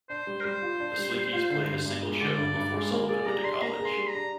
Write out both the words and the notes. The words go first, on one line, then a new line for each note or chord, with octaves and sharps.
The Slinkees played a single show before Sullivan went to college.
D4 C5
G3
A#4
G3 C5
F4
D4
G3
G3
F4
D3
G2
G2
G#3
D3 D5
G2
G2
G#3
A#3
G#4 D5
G3 A#5
D4 C6
A#3 A#5
G#4
C6
G3
A#5
D4